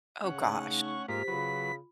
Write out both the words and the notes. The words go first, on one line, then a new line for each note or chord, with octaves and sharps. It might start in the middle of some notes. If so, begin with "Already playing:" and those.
Oh, gosh.
C#3 C#4 F#5
A3 D#4
C#6
G#2 A#3 F4 G4 C5 B6
C#3 F#3 F4 B4 B5